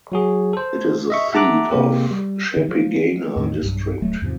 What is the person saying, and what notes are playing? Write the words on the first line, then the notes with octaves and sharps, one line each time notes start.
It is the seat of Chepigana District.
F#3 F#4 G#4
A4 C5
D#5 E5 C#6
E5 F#5 A5 A#5 D6 F#6
C3 G#3 A#3 G4
G3
D3
F3
E2 A2 D#3
B1 G2
D1 F#3 A3
E2 G#2 C3 F3